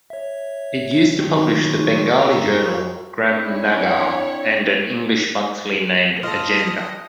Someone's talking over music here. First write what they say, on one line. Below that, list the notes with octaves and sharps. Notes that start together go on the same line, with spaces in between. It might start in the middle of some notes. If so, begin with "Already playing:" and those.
It used to publish the Bengali journal Gram-Nagar and an English monthly named Agenda.
C#5 E5
D#3 F#3
F4 F#4 C#6
G4 A#4
C4 D4 E4 C#5
F4 A4 D#5